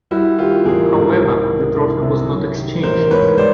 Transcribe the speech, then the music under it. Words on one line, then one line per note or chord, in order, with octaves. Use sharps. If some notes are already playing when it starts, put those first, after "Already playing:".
However, the trophy was not exchanged.
G3 E4 F#4
D#3 F4 G4
A1 G#4 A#4
G#2
C2
D#3
C2
C3
F#3
D#3
A1 A#4 C5
G#2 B4 C#5
G#3 C5 D5